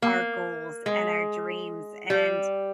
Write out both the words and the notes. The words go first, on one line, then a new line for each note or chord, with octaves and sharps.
our goals and our dreams, and
A#3
G#3
G3